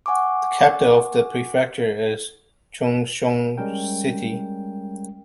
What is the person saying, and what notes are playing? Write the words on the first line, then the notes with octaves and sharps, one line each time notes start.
The capital of the prefecture is Chuxiong City.
F#5 G#5 C#6 D6
G3 G#3 C#4 A#4 G5